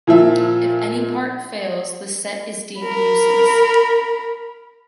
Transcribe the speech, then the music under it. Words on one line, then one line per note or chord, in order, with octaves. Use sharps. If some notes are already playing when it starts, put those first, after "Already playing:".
If any part fails, the set is deemed useless.
A#2 F3 E5
A#4 B5